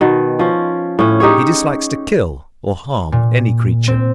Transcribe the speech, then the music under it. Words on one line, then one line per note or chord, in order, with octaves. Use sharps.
He dislikes to kill or harm any creature.
B2 D#3
F3 C#4
A2 C#4
D#4 G4 G#4 C#5
A#2
C4